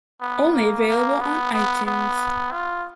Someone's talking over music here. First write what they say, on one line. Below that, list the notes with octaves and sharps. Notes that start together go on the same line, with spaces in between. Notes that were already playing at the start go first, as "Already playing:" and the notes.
Only available on iTunes.
B3
A#3
A#3
B3
B3
B3
F4